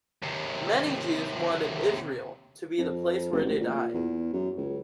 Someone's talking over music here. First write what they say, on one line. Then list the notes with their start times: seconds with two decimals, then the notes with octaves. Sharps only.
Many Jews wanted Israel to be the place where they died.
0.23 D#2 C3
2.78 F2
3.32 F#1
3.45 A1
3.61 A#2
3.94 E2
4.33 F#2
4.57 C#2